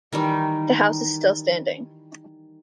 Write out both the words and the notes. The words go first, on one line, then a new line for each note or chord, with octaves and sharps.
The house is still standing.
D#3 E3 G3 D#4